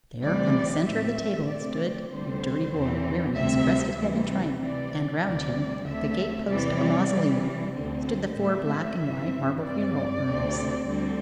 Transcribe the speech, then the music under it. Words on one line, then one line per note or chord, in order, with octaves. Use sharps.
There, on the centre of the table stood You Dirty Boy rearing his crested head in triumph, and round him like the gate posts of a mausoleum stood the four black and white marble funeral urns.
D2 C3 E3 G3 C4 D5
A2 A3 C4 E5
C3 A3 C4 D5
D2 D3 G3 C4 C5
E2 E3 C4
D2 C3 G3 C4 E5
D2 C3 E3 G3
C3 E3 C4 D5
D2 C3 G3 C4 D5
D2 D3 A3 C4 E5
E2 C3 E3 G3 C4 D5
C3 E3 G3
D2 D3 C4
A2 A3 C4 E5
G2 E3 G3 C4
G2 G3 C4 D5
D2 C3 A3 C4
D2 D3 G3 C4